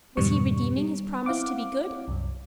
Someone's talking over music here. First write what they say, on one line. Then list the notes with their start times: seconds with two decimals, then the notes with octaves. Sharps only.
Was he redeeming his promise to be good?
0.17 F2 G#2 B2 D#3 G3 C#6
0.77 G3
1.26 C4 E4 F5 F#5 D6
2.08 C2 F#2